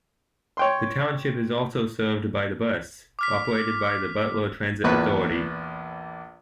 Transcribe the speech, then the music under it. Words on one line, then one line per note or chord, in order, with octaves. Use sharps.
The township is also served by The Bus, operated by the Butler Transit Authority.
C#5 G5 C6
D6 F6 B6
A#1 E2 B4 C#6